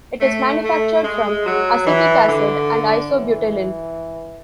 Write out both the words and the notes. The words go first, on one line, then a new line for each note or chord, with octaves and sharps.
It is manufactured from acetic acid and isobutylene.
A3
A3
G#3
F#3
E3
D3
E3